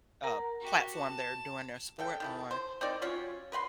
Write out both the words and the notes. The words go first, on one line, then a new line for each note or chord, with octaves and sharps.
uh, platform they're doing their sport on.
A#4 F#5 A#5
F#4 G4
A5
C#3 A4 G5
D#3 E3 A4
C5
C4 D#4 A#4 D5
F#3 C#4 F4 C#5
A#4 B4 F#5 C6